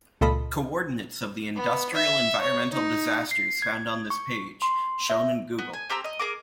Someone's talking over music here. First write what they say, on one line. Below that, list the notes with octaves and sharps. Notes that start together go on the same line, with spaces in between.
Coordinates of the Industrial Environmental Disasters found on this page, shown in Google.
C#2 A#2 F4 A4 D#5 B5
B3
E5
C#5
D#4
C7
G#6
C#6
C6
E5
B3
G#5
C4 G4 A#5 E6
D#5
G#4 A#4 D6